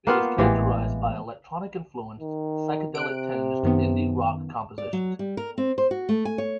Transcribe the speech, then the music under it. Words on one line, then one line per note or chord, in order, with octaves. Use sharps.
It is characterized by electronic-influenced, psychedelic-tinged indie rock compositions.
A#3 B3 F4 G5 F#6
A1 A2 E3 G#3 G4 F5
D#3
C3 F#6 D7
F#2 D#3 B3
D5
F#3
G3
A#4
C4
C5
F#4
A3
G#5
C#5